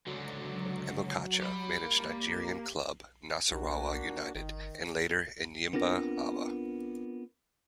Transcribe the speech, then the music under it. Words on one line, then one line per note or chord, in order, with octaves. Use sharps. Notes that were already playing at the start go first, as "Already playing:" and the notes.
Amokachi managed Nigerian club Nasarawa United and later Enyimba Aba.
C#2 D3 F#3
G4 B5
A#3
B1 A#3 D4 F#4
G1 D#3
B3 C4 D4 F4 A#4